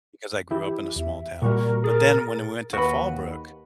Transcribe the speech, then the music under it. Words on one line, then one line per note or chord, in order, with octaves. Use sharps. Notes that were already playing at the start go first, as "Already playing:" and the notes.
Because I grew up in a small town. But then, when we went to Fallbrook,
E3 E4 G4
E2 E5
A#2 G3 F#4 A#4 C#6
G#4 A#4 A6
D#2 F#4 B4